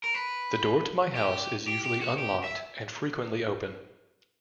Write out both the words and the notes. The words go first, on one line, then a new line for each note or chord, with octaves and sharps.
The door to my house is usually unlocked and frequently open.
A#4
B4
G4
G4
G4
F#4
G4
E5